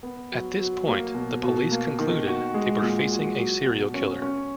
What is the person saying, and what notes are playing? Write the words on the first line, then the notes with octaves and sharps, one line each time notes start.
At this point, the police concluded they were facing a serial killer.
B3
F#3
F#3
A#3
B2
B2
A#3
D#3
F#4
G#3
A#2
F#4
F#3
B2
C#4
C#4